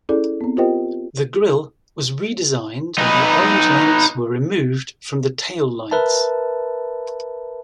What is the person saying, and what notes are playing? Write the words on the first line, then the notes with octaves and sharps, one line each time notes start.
The grill was redesigned, and the orange lamps were removed from the taillights.
C#4 E4 G#4 A4 D5
B3 C4
F4 G4 A#4 C5 D#5 G5
D#4 B4
A#4 B4 E5 A5